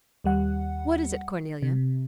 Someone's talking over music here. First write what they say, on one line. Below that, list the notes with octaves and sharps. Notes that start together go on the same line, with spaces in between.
"What is it, Cornelia?"
D#2 G3 F#5
C3